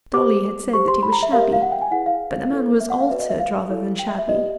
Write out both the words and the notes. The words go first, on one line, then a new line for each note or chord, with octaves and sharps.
Dolly had said that he was shabby,--but the man was altered rather than shabby.
G4 C5 D6
G4 C5 C#6
C6
B5
A#5
E5
G4 A#4 C#5 F5
E5
F5
F#5
G5
G#5
E4 G#4 B4 F#5
F5
E4 A4 C5
E5
F#5
F5
F#4 B4 D5 E5
D#5
E5
F5
E4 A4 C#5
G5
E5
E5
G4 B4 D5 D#5